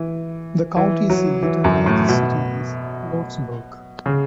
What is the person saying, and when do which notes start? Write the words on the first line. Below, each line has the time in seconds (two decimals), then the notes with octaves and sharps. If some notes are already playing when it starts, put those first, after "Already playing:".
The county seat and largest city is Lordsburg.
Already playing: E3
0.77 E3
1.10 F#3
1.43 E3
1.64 F#2
1.86 A2
2.09 B2
4.06 C#3